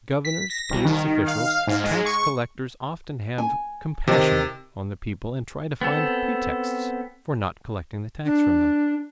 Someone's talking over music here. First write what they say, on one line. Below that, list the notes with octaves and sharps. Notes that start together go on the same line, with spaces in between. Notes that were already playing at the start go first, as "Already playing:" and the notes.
Governors, police officials, tax collectors often have compassion on the people and try to find pretexts for not collecting the tax from them.
B6
A#6
C2
D#3
F5
G#2
G#3
C#6
G#5
C3 D#3
B3 C4 A4
D4